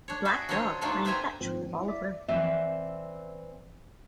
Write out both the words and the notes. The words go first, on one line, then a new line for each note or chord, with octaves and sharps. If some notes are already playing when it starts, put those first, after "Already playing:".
A black dog playing fetch with a ball of rope.
D4 C#5
F#4 G#4 E5
F#3 D4 F4 C5 C#5 D#5
F#3 A3 A#3 D4 D#4 F4
B3 C5 E5 G5 G#5 A#5
G#2 F3 C4
E4
D5 E5
E3 C4 B4 D5 E5